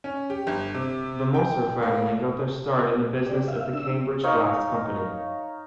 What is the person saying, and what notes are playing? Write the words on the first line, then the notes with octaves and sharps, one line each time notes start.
The Mosser family got their start in the business at the Cambridge Glass Company.
C#4
G4
G1
C3
G5
A#3
C4 G4 D5
E5 F5
D4 E6
D#4 C#5 F5